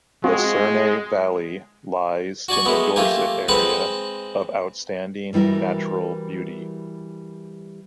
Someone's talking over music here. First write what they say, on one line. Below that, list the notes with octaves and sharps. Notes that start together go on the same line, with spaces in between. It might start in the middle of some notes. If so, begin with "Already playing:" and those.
The Cerne Valley lies in the Dorset Area of Outstanding Natural Beauty.
G#3 C4 F4 F#4
F#4 D5 G#5 C#6
G#3 A3 B3
A3 A#3 F4 G4 G#5
G#3 C4 B4 F#5
E3 G3 E4 F#4 A#4